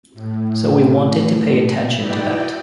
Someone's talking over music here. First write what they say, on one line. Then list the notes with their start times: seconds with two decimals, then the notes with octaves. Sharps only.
So we wanted to pay attention to that.
0.14 A2
1.96 D#4 E4 F#4 B4 D5 G5